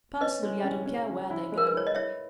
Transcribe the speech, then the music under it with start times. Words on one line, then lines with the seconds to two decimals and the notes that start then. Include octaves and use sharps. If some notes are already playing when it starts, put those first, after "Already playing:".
Personally, I don't care where they go.
0.21 C#4 B4 D#5
0.43 G#3
0.64 C#4
0.86 C#4
1.08 C#4
1.30 E4
1.52 G#3
1.58 A#4
1.67 B4
1.74 E4 C#5
1.87 D#5
1.95 E4 C#5 E5